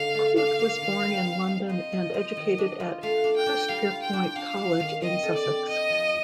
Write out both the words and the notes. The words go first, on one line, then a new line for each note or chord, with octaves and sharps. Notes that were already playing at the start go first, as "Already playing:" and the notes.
Coote was born in London and educated at Hurstpierpoint College in Sussex.
Already playing: D3 D#4 F5
A3
D4 F5
A#3
D#3
G3
C4
D#4
C5 D#5
F3
C5
D#3
D4
F4
A3 F5
D4
G5
D4
G3 F5
F4
G5
D4
D4 F5
D4
D#3
C4 D#5
A4
D5
C4
D#4 D#5
F3